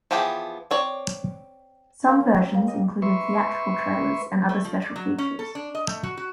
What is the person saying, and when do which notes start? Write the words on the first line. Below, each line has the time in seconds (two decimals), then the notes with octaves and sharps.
Some versions included theatrical trailers and other special features.
0.11 E3 F3 B3 G4 G#4
0.71 C4 C#5 D5
2.08 A#3
2.20 C#4
2.38 C4
2.54 A#3
2.68 D#5
3.02 B4 E5 C6 C#6
4.49 A3
4.65 F3
4.82 D5
4.96 F#3
5.18 C#4
5.39 A4
5.55 D4
5.75 D#5
5.87 A3
6.04 F#4
6.17 F#4